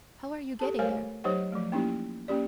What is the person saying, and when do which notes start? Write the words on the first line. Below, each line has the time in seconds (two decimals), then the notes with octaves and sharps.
"How are you getting there?"
0.60 G4 A4 A5
0.79 A3 A#4 C5 C#5 F5 G#5
1.24 F#3 D#4 G4 C5 C#5 F#5
1.52 F3 A3
1.72 A#3 C#4 D#4 E4 G4
2.28 A#3 C#4 G4 D5